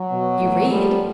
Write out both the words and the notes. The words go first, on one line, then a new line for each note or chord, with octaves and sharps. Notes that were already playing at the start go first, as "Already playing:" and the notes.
"You read."
Already playing: F#3
B2
A2 E3
A2 F3 G3